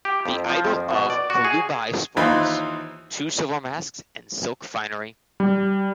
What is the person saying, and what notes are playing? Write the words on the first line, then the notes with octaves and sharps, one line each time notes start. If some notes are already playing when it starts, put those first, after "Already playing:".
The idol of Kalubai sports two silver masks and silk finery.
G4
F2
F3
F2
B2
D5
F#4
G#4
D#2 E3 D#4 F4 C5 B5
G3